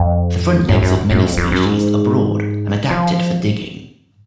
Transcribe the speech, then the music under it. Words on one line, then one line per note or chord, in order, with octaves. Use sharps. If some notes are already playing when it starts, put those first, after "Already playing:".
The front legs of many species are broad and adapted for digging.
Already playing: F2
F#2
F#2
F#2
F2
F2
F#2
G#2
F3